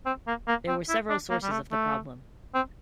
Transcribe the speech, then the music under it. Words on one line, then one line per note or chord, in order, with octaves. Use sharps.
There were several sources of the problem.
C4
A#3
A#3
C4
E4
D4
A#3
G3
A3
A3
C4